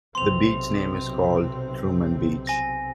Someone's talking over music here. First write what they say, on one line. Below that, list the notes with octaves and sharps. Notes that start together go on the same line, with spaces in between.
The beach name is called Truman Beach.
B1 C3 C4 C6 F7
G#5 A#6